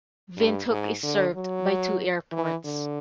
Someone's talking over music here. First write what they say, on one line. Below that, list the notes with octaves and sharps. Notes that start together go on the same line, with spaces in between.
Windhoek is served by two airports.
G2
G#2
D3
F#3
E3
D3